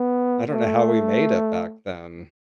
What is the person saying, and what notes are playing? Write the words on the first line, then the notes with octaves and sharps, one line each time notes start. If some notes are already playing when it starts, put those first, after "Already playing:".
I don't know how we made it back then.
Already playing: B3
A3